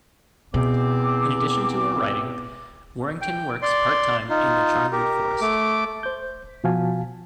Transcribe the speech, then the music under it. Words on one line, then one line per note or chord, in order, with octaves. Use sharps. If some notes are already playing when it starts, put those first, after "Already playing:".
In addition to her writing, Warrington works part-time in the Charnwood Forest.
E2 B2 C4 D6
G5
D5 C6
D#4 F4
G4 A#4
A3 D6
C5 G6
B2 F3 F#4 F5 G#5 A5